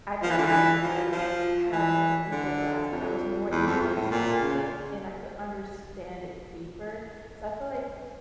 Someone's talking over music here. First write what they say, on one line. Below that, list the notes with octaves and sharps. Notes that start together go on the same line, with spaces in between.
I felt like I I had, like, a deeper grasp, like, I was more immersed in it, and I could understand it deeper. So I feel like
F3
E3
D3
E3
F3
F3
E3
D3
F2
E2
F2
F2
A2
A#2
C#3